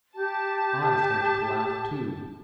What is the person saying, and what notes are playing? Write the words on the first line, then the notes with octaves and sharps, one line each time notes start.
I started to laugh, too.
G4 A5